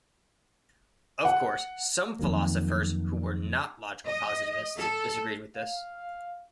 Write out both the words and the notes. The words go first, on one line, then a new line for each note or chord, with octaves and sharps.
Of course, some philosophers who were not logical positivists disagreed with this.
F#5
F2 D#3 F#3 A#3
D#5
A4
F5